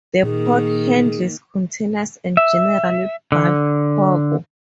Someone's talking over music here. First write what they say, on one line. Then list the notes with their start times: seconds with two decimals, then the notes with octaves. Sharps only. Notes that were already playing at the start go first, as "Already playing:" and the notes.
The port handles containers and general bulk cargo.
0.23 A#2 D#3 A#3 G#4
2.37 E5
3.32 D3